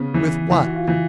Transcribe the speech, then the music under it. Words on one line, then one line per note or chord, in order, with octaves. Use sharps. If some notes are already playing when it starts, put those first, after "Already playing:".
"With what?"
Already playing: C#3 B3
E3
E3
F#4
F4
E3